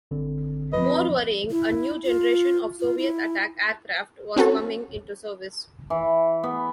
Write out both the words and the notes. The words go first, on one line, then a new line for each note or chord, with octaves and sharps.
More worrying, a new generation of Soviet attack aircraft was coming into service.
G#1 D3 C4
F2 B4 D#5
E4
F4
F4
E4
C4 C#4 F#4 A4
E3
B3